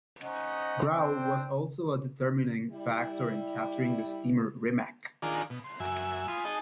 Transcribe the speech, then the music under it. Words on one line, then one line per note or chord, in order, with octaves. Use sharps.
Grau was also a determining factor in capturing the steamer "Rimac".
C#4 D#4 C5 D#5 F#5
C4 D4 G5
G3 E4
D#3 D4 F4 G#4 A#4
B2
C6
F#2 E5 G#5
F4 G#5 B5 C6 D#6
D#4 G#4 D#5 A5